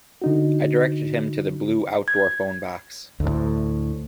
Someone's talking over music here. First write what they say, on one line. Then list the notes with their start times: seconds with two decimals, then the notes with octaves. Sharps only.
I directed him to the blue outdoor phone box.
0.22 D3 D#4 F#4
2.08 G#6
3.20 D2 A2